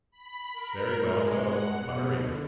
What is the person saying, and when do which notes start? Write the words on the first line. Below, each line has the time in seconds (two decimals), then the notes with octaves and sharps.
"Very well, go; but hurry."
0.11 B5
0.53 A#4
1.04 G#3
1.43 F#5
1.76 B2
2.16 D3